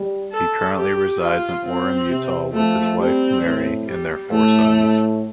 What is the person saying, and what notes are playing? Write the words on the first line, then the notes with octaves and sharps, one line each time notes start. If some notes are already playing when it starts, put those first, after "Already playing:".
He currently resides in Orem, Utah with his wife, Mary, and their four sons.
Already playing: G3
A4
G4
F4
C4
C3
F3 A3
G3 C4
A2
G3
A2 A3